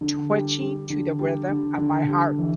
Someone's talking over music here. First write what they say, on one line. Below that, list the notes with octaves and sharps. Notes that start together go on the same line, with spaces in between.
twitching to the rhythm of my heart.
D3
G3
G3
D3
G3
D3
D3
G3
E3